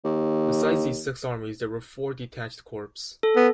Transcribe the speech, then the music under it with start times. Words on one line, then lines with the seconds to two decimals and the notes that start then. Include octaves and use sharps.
Besides these six armies there were four detached corps.
0.05 D#2
3.23 A4
3.36 B3